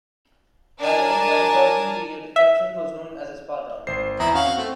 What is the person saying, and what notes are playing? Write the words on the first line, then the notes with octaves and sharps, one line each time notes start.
By the end of the Georgian period, Epsom was known as a spa town.
D4 A#4 G#5 A5
E5
G#1 C5 C7
E2 E4 A#5 D#6
C#4 F#4 F5
C4
A3 C4